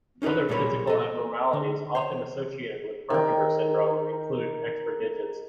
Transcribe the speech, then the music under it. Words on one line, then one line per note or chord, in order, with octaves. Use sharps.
Other physical abnormalities often associated with Carpenter Syndrome include extra digits.
C#4 D#4 G#4 A#4 B4
B1 A#2 G3 A#3 C#5 B5
A4 D#5
D3
C5 C#5
D#3 G5